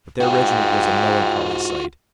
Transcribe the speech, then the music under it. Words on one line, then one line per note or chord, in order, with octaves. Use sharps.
But their regiment was a melancholy sight.
G#2 F4 F#4 G5